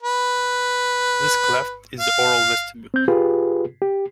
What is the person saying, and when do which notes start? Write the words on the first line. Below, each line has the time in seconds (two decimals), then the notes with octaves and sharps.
This cleft is the oral vestibule.
0.03 B4
2.00 F5
2.94 C4 G6
3.08 F4 G4 G#4 B4
3.82 G4